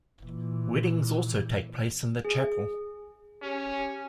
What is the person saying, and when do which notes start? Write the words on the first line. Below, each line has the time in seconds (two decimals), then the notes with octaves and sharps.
Weddings also take place in the chapel.
0.24 A#2 E3
2.25 G#4
3.42 C#4 G4